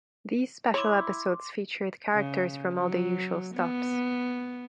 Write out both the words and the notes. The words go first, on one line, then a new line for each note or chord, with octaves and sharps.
These special episodes featured characters from all the usual stops.
E4 C#5 C6 D6
C#3
F#3
B3